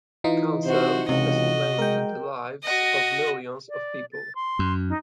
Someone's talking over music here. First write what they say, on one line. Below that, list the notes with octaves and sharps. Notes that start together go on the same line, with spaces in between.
Cancer has claimed the lives of millions of people.
E3 D#4 F4
C3 F#4 C5
C#2 C3 F#4 D#5
G#3 A#4 G5
F#4 D#5
D5
A6
C6
F#2
D#4